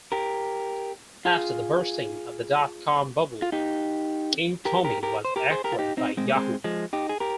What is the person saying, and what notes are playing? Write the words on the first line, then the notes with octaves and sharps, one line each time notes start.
After the bursting of the dot-com bubble, Inktomi was acquired by Yahoo!
G4 A#4
F4 G#4
F4
D#4 G4
G4 A#4
G4 A#4
G4 A#4
C5
G4 A#4
G#4 C5
G4 A#4
F4
D#4 G4
C4 D#4
G#3 C4
A#3
G#3 C4
F3 G#3
D#4 G4
G#4
G4 A#4